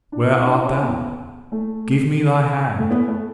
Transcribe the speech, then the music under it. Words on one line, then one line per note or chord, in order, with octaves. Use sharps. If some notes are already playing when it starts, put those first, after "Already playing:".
Where art thou? Give me thy hand!
D4
E4
D4
C#4
C#4
B3
A3
A3
B3
A3